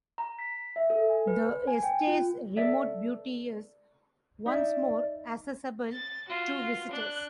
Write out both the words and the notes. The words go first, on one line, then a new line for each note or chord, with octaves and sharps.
The estate's remote beauty is once more accessible to visitors.
A#5
B6
E5
A4
G#5
B4
C5
G#5
G5
F4
A4 D5 E5
D#4 D5 E5
A6
F4 F#4
D4 F#6